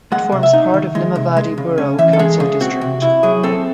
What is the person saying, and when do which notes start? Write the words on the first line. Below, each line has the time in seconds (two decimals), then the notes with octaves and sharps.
It forms part of Limavady Borough Council district.
0.12 G#3 F#5
0.32 C3
0.43 E5
0.53 D#4
0.74 D#3
0.95 G#3
1.15 C3
1.37 G#3
1.58 C#3
1.78 C#4
1.98 E3 E5
2.13 A4
2.19 G#3 G#4
2.40 C#3 G#4
2.61 C4 F#4
2.81 C3
3.02 E4
3.23 F#3 G#4
3.43 C4 A4